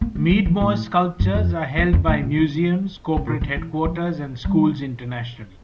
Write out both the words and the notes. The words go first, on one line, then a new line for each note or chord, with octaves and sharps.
Meadmore's sculptures are held by museums, corporate headquarters, and schools internationally.
A#3
A3
G3
E3
A2
G2
F2
E2
F2
A2
A#2
C#3
C#3
A#2
D3
E3
F3
G3